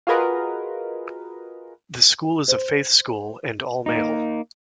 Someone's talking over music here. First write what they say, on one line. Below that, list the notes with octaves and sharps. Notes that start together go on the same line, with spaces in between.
The school is a faith school and all-male.
F4 F#4 G#4 A#4 B4 D#5
C5
A#3 D#4